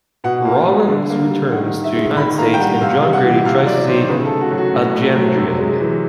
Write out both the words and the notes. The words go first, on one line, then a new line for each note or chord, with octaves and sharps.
Rawlins returns to the United States and John Grady tries to see Alejandra again.
B2 F#5
A#3
G3
D3
A#3
G3
D#3 F#5
D#3
E5
G#3
D#3 B5
A#3 A#5
G5
G3 F#5
C3 F5
G3
F#5
E3
C3 F5
F#3 D5
D#3 C5
C#3 B4
A4
A3
F#4
F#3
F#4
A2
A3
F#3
C3
G#3
E3